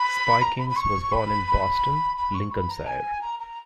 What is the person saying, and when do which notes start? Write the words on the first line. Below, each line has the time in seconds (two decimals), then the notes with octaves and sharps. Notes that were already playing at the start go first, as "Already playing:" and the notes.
Spikings was born in Boston, Lincolnshire.
Already playing: B5
0.42 A#5
0.59 B5
0.70 B5
0.76 C#6
1.12 B5
2.17 B5
2.34 C#6
2.52 B5
2.70 A#5
2.87 G#5
3.21 A#5
3.39 A#5